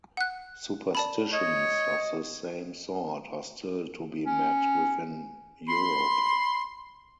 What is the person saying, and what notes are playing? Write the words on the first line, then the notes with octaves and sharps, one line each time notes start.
Superstitions of the same sort are still to be met with in Europe.
F#5 F#6
D5 A5 B5
C#5 D#5
C#4
B5 C6